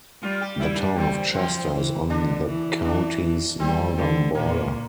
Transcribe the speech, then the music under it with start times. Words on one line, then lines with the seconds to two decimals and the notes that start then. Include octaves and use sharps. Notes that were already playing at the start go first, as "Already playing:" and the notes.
The Town of Chester is on the county's northern border.
0.22 G3 F4
0.41 G4
0.59 G3 E4
0.79 D4
0.97 G3 C4
1.35 F3 C4
1.73 E3
2.10 D3 D4
2.47 E3
2.85 D4
3.60 G3 C4
3.98 D3
4.35 A#2 A#3